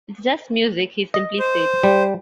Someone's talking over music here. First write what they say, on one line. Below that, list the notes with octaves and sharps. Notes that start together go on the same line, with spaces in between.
"It's just music," he simply states.
D#5
C5
G3